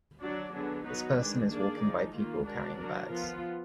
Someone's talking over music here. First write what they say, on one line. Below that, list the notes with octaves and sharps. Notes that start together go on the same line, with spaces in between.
This person is walking by people carrying bags.
F#3 D4 F#4 D5
D3 F#3 B3 D4 G#4
F#3 B3 D#4 F#4 B4
D#3 G#3 D4 G#4
A#3 D4 G#4 D5
F3 G#3 D#4
D#3 A#3 F4
G#3 D4 F#4 A#4 D5
F#3 D4 F#4 A#4
F3 B3 F4